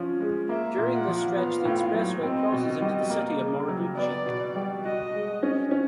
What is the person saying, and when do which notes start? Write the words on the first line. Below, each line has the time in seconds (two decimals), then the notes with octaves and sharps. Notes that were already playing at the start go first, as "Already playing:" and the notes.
During this stretch the expressway crosses into the city of Moriguchi.
Already playing: F3 C#4
0.20 G#3
0.49 A#3 E5
0.78 A#2
0.94 F#5
1.08 F3
1.36 B3 F5
1.65 A2
1.94 F#3
2.23 C4 D#5
2.52 B2
2.81 G3
3.10 A#3
3.39 C#3
3.69 F#3
3.97 B3 D5
4.26 B2
4.56 G3
4.85 F#4 D#5
5.13 G#3
5.43 C#4
5.71 C#4